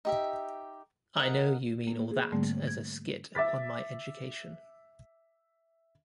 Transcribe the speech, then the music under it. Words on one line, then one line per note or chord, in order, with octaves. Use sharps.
I know you mean all that as a skit upon my education.
D#4 G4 E5
A#4 D#5 F#5
A#3
G#4
G#2 D3 G3 A3 A#3 C4
G#6
E5 D6 A6 B6